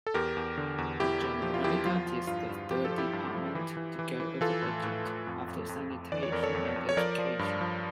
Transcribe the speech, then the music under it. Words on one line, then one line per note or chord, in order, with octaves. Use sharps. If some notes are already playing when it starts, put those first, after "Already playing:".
The Generalitat is the third department to go over budget, after Sanitation and Education.
A4
E2 G4 A#4
E2
D3
E2
E2 E4 G4
E2
F3 G4
F4
E2 E4 G4
F3 F4
F3
G2 F4
G2
F3 G4
A4
F3
E4 G4
G2
F3
E3
E3
E3
E3
E3 F4 A4
A2
A2
A2
F2
F2
F2
F2
E3 D5
C#5
F2 A#4
A4 C#5
F2
F2
C#5
F3 A#4 D5
F3
G2
F3